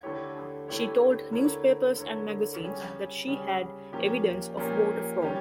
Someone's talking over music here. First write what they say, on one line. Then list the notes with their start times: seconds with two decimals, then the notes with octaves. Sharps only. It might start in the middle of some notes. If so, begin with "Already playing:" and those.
She told newspapers and magazines that she had evidence of voter fraud.
0.03 D3 A3 E4 G4 C#5
0.68 D3 A3 E4 G4 C#5
1.32 D3 A3 E4 A#4 C#5
1.97 D3 A3 E4 A#4 C#5
2.63 C#3 G3 C#4
3.27 C#3 G3 C#4
3.92 A#2 F3 C#4 G4 A#4
4.57 A#2 F3 C#4 G4 A#4
5.22 G3 C#4 G4